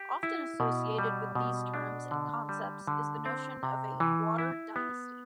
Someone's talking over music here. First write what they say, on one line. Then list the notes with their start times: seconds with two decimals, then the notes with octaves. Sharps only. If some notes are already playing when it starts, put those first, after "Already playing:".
Often associated with these terms and concepts is the notion of a "water dynasty".
Already playing: G4
0.23 E4
0.60 B2
0.99 G3
1.35 B2
1.74 D4
2.11 D3
2.49 G3
2.87 D3
3.25 C4
3.63 C3
4.00 E3
4.38 E4
4.76 B3